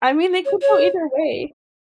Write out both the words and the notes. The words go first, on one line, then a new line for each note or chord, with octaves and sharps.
I mean, they could go either way,
C#5
C#5